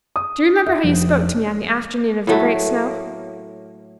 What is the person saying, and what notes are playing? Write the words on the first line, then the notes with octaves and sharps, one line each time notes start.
Do you remember how you spoke to me on the afternoon of the great snow?
D#6
E5
F1
A2 F#3 A3